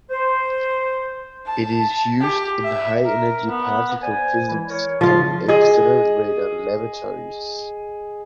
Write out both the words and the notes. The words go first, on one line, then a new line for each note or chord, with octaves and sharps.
It is used in high energy particle physics and in accelerator laboratories.
C5
A5
G4
E5
A#4
B3
C5 D5 G#5
E3 G#3 E4
A#4 C#5
C#3 F3 F4
G#4 D#5